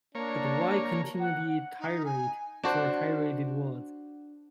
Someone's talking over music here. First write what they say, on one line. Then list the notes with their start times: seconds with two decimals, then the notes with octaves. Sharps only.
But why continue the tirade, for tirade it was.
0.15 A#3 D4 C#5
1.19 F#5
1.79 D#4
2.05 G#5
2.64 D4 F#4 C5